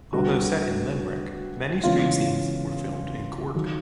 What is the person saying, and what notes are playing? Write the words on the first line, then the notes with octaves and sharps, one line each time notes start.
Although set in Limerick, many street scenes were filmed in Cork.
D2 D3 G3 B3 F#4
E2 C#3 E3 G#3 C#4 F4
D#3 F#3